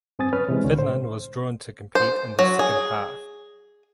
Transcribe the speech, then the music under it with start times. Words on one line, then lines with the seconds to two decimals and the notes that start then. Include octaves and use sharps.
Finland was drawn to compete in the second half.
0.19 G2 C4 G#5 D#6 A6
0.33 F#2 C#4 B4 F6
0.49 C3 E3 G#3
0.64 C2 D3 C#4
0.77 A2 C5
1.95 C5
2.39 F#3
2.59 G#4